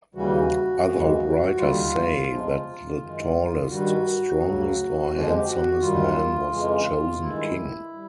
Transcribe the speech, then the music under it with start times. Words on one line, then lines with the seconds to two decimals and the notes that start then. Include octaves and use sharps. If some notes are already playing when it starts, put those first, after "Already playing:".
Other writers say that the tallest, strongest, or handsomest man was chosen king.
0.15 D#2 C#3 E3 G3 F#4
0.85 F#2 C#3 E3 G#3
1.56 D#2 D3 G3 F4
2.27 E2 C3 F3 G#3
2.97 F#2 D#3 G#3
3.61 F4
3.68 G2 D#3 G3 F#4
4.40 D2 C#3 F#3
5.09 F2 D3 F3 G#3
5.34 G4
5.45 F#4
5.80 F#2 D#3 G3 F4
6.51 F2 C#3 E3 G#3
7.21 G2 D#3 G#3 E4
7.93 G3